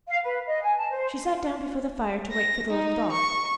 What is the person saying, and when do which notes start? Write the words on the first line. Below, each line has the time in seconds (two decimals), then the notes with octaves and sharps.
She sat down before the fire to wait for the little dog.
0.07 F5
0.23 B4
0.47 D#5
0.62 G#5
0.77 A5
0.91 C5
2.32 A#6
2.70 D#4
3.12 C#6